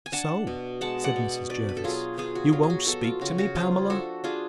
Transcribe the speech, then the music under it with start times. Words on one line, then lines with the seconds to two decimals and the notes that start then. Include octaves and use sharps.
So, said Mrs. Jervis, you won't speak to me, Pamela!
0.06 G#5
0.12 D4 F#5 A5
0.47 B2
0.81 G#3 F#5 A5
1.04 D5 F#5
1.16 B2
1.49 D4 B4 D5
1.69 B4
1.77 A4
1.84 F#3 F4 G#4
2.17 B3 F4 G#4
2.35 F#4
2.53 F#3 F4
2.63 G#4
2.70 F#4
2.87 B3 F#4 A4
3.04 F4
3.21 C#3 F#4
3.38 F#4
3.55 F3 F4 G#4
3.90 D4 F#4 A4
4.24 D4 F4 G#4